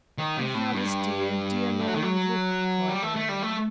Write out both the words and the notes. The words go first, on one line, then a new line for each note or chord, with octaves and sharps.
"And how does dear, dear Norland look?" cried Marianne.
D#3
C3
A2
G2
G3
F#3
D#3
F#3
G3
A3
A3
G3
A3